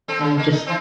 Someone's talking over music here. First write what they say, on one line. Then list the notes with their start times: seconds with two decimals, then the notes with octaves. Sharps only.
and just
0.08 C4 A4
0.21 C#3
0.37 D#3 A#3
0.52 D#4
0.66 E3 C4